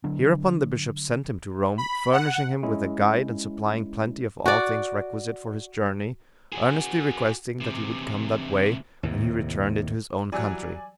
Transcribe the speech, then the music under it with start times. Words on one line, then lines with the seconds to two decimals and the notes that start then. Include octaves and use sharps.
Hereupon the bishop sent him to Rome, furnishing him with a guide and supplying plenty of all things requisite for his journey, earnestly requesting that he would come that way, when he returned into his own country.
0.04 D3 F#3 D4
1.78 B5
2.13 F#5
2.63 G#3 C#4 E4
4.46 F#4 D5
6.52 F#4 G#4
7.61 E2 C3
9.03 D#2 A2 C3
10.32 E3 F#3 G3 D5 G#5